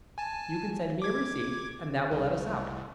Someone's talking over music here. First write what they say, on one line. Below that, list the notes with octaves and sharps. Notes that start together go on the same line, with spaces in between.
You can send me a receipt and that will let us out.
G#5 A5
D6 G#6
C2